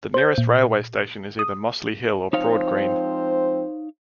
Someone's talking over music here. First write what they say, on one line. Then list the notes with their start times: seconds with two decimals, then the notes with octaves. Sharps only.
The nearest railway station is either Mossley Hill or Broadgreen.
0.14 C5 G6
0.38 A#2
1.39 D#6
2.33 F3 G#3 C4 D#4 C5 C#5 F5